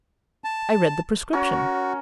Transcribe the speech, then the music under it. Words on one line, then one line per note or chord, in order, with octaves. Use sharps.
I read the prescription.
A5
C#4 F#4 A#4 C#5